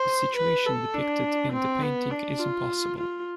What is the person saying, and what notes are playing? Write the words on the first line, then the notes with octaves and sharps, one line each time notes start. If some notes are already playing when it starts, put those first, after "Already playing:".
The situation depicted in the painting is impossible.
Already playing: C5
B4
A4
D4
C4
B3
D4
F4
F4